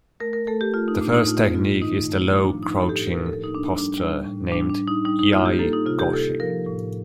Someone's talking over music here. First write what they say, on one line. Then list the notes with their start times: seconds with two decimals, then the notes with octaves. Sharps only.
The first technique is the low crouching posture named "iai-goshi".
0.20 A3 A#4
0.33 A#4
0.47 A3 A4
0.61 G4
0.74 A3 F4
0.88 D#4
1.01 A2 D4
1.15 D#4
1.28 A3 F4
1.55 G2 F4
1.81 D#3 D#4
2.09 A3
2.36 F3 D4
2.63 F3 D#4
2.82 A4
2.89 A2 G4
3.07 A#4
3.17 F3
3.26 A4
3.43 A#3 D#4
3.54 D4
3.71 G3
3.78 D4
3.98 G3
4.25 A2
4.51 G3 D4
4.69 D4
4.78 G3
4.88 D#4
5.05 G3 D#4
5.19 D#4
5.32 A#3 F4
5.46 G4
5.59 A#3 A4
5.73 D#4
5.86 C3 F4
6.00 G4
6.13 C3 A4
6.40 F3 A#4
6.67 A2